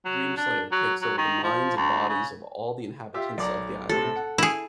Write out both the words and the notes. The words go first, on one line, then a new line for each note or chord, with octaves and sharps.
Dreamslayer takes over the minds and bodies of all the inhabitants of the island.
F#3
D4
F#3
F#3
D#3
F3
D2
C#3
F4 G4 E5
B1 D5 A#5
A2 C3 A3 A4
F#5
E4 G#4